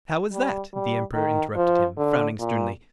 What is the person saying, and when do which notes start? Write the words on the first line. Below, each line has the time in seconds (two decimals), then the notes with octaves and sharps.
"How is that?" the Emperor interrupted him, frowning sternly.
0.32 G3
0.73 G3
1.14 D#3
1.56 F3
1.97 D3
2.39 A#2